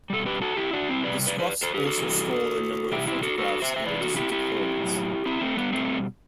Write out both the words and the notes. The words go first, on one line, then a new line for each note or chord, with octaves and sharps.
The scruffs also stole a number of photographs in addition to clothes.
B2 G3 A4
G4 B4
F#4 A4
E4 G4
D4 F#4
C4 E4
C3 E3 G3 B4 D5
B4 D5
B4 D5
A4 C5
G4 B4
F#4 A4
C3 E3 G3
C3 E3 G3 E4 G4
E4 G4
F#4 A4
F#4 A4
C5 E5
E5
C3 E3 B4 D5
F#4 A4
E4 G4
E4 G4
A2 F#3
C4 E4
A3 C4
G3 B3
B2 G3 A3 C4